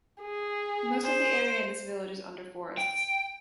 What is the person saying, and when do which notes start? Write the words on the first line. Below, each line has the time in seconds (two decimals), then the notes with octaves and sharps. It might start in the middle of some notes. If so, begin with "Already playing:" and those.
Most of the area in this village is under forests.
0.22 G#4
1.05 C5
2.78 G5